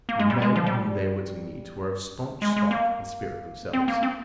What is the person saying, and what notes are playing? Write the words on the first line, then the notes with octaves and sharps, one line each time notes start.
The men whom they were to meet were of staunch stock and spirit themselves.
A#3
G#3
G3
G#3
F3
G3
G#3
G#3
A#3
C4
A#3
C4